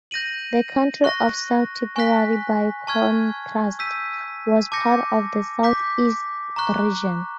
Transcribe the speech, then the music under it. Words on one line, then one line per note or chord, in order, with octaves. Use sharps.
The county of South Tipperary, by contrast, was part of the South-East Region.
G6 A#6 D#7 F#7
C#6 F#6 A#6
G#5 C#6 F#6 B6
A5 C#6 F6 G#6
E6 G6 B6 D#7
A5 D6 G6 A#6 C#7
D6 G6 B6
A#5 C#6 F#6